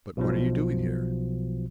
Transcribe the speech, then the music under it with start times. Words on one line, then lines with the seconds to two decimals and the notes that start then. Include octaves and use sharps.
"But what are you doing here?"
0.17 B1 B2 F3